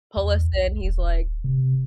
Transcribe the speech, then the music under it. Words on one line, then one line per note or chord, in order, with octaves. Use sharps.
pull us in. He's like
E2
A#1
D#1
C3